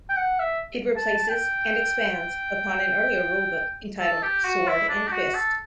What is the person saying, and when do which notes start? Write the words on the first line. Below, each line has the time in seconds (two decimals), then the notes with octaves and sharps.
It replaces and expands upon an earlier rulebook entitled "Sword and Fist".
0.09 G5
0.17 F#5
0.39 E5
0.96 A5
1.29 G5
4.00 A4
4.23 G4
4.44 F#4
4.68 E4
4.89 D4
5.08 G4
5.12 F#4
5.35 A4